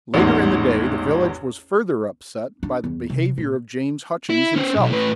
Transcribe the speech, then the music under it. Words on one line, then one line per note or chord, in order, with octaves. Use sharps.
Later in the day the village was further upset by the behaviour of James Hutchings himself.
A1 E2 G#2
D4
E2
C3
A#2
E4
C#4 C5
B1 G#2
A2 B4